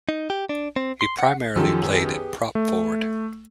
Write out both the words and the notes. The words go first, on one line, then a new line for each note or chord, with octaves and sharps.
He primarily played at prop-forward.
D#4
G4
D4
C4
C6
F#5
F#2 D#3 F3 G4 A4
B3 G4 G#4
A3